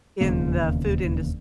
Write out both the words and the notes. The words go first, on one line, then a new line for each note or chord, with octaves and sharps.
in the food indust
E1 D#2 C#3 A#3